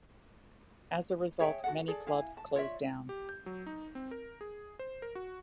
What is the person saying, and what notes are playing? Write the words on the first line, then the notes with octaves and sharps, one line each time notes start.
As a result, many clubs closed down.
G#4 C#5 E5 G5
F#4 A4 F#5
G#4 A4 D5
E4 F5 G#5
A5
F4 C#5 D5 E5
G4
G6
F#3
D#4
C4
A#4
G#4
C5
A#4
F#4